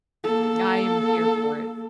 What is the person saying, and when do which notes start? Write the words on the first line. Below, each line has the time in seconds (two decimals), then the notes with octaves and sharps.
"I am here for it."
0.24 A#3 A4